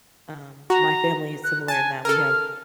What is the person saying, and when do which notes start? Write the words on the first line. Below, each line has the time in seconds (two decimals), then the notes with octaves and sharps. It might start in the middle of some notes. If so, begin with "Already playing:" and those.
Um, my family is similar in that we have
0.70 F#4 A#5
1.44 F#6
1.68 G#5 A5
2.05 A4 A#4 F6